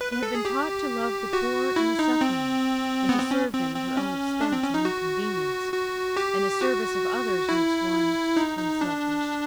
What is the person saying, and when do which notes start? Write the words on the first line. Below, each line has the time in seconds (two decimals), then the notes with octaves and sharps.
She had been taught to love the poor and the suffering, and to serve them at her own expense and inconvenience, and the service of others makes one unselfish.
0.01 B4
0.12 B4
0.23 A4
0.34 G#4
0.45 G4
1.33 F#4
1.76 E4
1.99 D#4
2.21 C4
3.09 B3
3.20 C4
3.31 C#4
3.53 C4
3.75 C4
3.97 C#4
4.41 D4
4.52 C4
4.63 C#4
4.74 D#4
4.85 F#4
5.73 F#4
6.17 G4
6.61 F#4
7.49 E4
8.37 D#4
8.58 D#4
8.81 D4